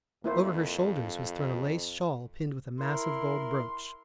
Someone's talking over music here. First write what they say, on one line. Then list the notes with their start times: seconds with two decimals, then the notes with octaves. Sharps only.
Over her shoulders was thrown a lace shawl pinned with a massive gold brooch.
0.24 F2 A#3 E4 C5
2.80 E4 A#4 C6